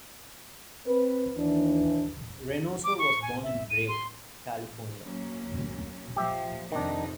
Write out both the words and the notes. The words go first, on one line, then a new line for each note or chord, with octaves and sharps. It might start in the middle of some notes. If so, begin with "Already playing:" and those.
Reynoso was born in Brea, California.
C4 B4
D#2 E3 D4
D6
C#6
G#5
E5
D#7
C6
F#3 A#3 C#4
A#2 F3 G4 E5
F2 C3 D#3 D4 D#4